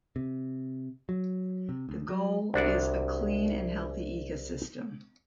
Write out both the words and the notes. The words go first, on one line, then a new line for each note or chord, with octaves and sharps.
Their goal is A clean and healthy ecosystem.
C3
F#3
C3
D2
F#3
C2 D4 F#4 D5